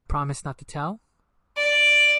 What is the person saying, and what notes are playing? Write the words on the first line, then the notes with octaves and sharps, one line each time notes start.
Promise not to tell?
D5